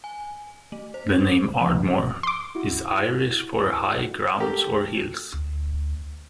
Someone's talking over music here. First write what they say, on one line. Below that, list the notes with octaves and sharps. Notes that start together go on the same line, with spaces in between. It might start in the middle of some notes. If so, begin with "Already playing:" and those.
The name "Ardmore" is Irish for high grounds or hills.
G#5
A3
C5
F3
C6 D6
E4 F#4
A3 G4 A#4
D2